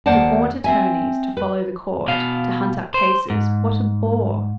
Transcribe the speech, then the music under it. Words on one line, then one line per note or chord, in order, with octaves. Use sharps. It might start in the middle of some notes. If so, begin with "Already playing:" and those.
To haunt attorneys, to follow the court, to hunt up cases--what a bore!
D#2 A#3 C5 D5 F#5 A5
C4 E5 G#5
B4
B2 F5
C5
G#2